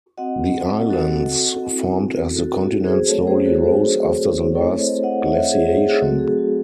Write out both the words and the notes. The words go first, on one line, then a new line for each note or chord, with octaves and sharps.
The islands formed as the continent slowly rose after the last glaciation.
C4 F#4 D#5 F#5
F#4 A4
C4 E4
F#4 A4
F#4 A4
G#4 C5
F#3 A3 C4 F#4 A4 C#5
G#4 C5
F#4 A4
G#4 C5
A3 C4 E4 A4 C#5
C5 D#5
D#5 F#5
C#5 E5
G#4
G#4
F#3 A3 C4 F#4 A4
G#4
F#4